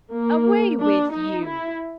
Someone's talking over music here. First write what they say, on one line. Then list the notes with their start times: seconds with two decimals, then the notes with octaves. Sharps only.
Away with you!
0.13 A#3
0.80 D4
1.14 D#4
1.47 E4